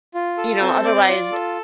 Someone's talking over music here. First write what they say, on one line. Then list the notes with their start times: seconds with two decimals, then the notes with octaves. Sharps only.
you know, otherwise
0.14 F4
0.38 A4
0.61 C4
0.85 D5
1.08 F4
1.32 A4